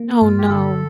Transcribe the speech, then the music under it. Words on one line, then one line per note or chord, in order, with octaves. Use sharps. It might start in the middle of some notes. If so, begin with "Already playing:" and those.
Oh, no.
Already playing: A#3
G2 F4
G4
D3 A4